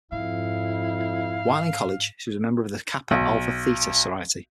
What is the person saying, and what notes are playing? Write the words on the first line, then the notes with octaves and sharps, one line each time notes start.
While in college, she was a member of the Kappa Alpha Theta sorority.
F2 G#2 E4 F5
B1